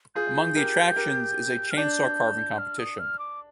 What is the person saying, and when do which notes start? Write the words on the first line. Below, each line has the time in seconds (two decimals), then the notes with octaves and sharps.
Among the attractions is a chain saw carving competition.
0.15 F4 G#4 G6
0.56 G4 A#4
0.96 G4 A#4
1.71 F6
1.77 D4 G6
2.58 F6
2.79 D#6
2.99 F6
3.19 D6